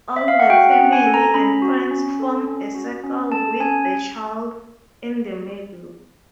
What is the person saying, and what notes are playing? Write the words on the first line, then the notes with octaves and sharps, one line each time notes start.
All the family and friends form a circle with the child in the middle.
E5
F5
F#5
F#4 G5
F#5
C#4
G#5
A4
A#5
C#4 B5
F#4
C#4
A4
C#4
F#4
C#4
A4 A5
C#4 G#5